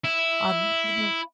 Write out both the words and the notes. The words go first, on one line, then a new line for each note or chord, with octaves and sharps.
Um, you know
E4